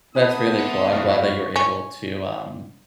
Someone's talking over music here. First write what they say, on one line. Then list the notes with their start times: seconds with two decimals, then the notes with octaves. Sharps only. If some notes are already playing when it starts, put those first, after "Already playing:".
That's really cool, I'm glad that you're able to, um
0.15 B3 C4 E4 G#4 B4 D5 A5 D#6
0.60 A4 F#5
0.93 F#2 F#4 F5
1.56 C#4